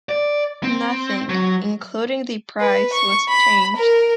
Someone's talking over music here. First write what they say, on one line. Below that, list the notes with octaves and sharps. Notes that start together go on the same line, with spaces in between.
Nothing, including the price, was changed.
D5
C4
F#3
B4
C#6
B5
A#4